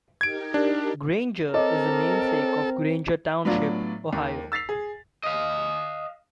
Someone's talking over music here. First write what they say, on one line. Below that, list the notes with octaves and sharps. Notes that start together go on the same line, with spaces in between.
Granger is the namesake of Granger Township, Ohio.
D#4 G4 A#4 G#6 D7
D4
C4 A4 A#4 C#5 D#5 D6
A2 F#3 B3 D4 F4
D#2
E6 A6 B6 C7 F7
G#4
D#5 F5